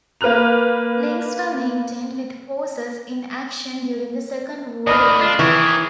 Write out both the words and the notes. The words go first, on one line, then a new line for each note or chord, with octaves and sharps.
Links were maintained with forces in action during the Second World War.
A#3 B4 F6 F#6 F7
D3 E3 D5 D#5 B5 F6
D4 F4
D#3 E3 G4 G#4 C#6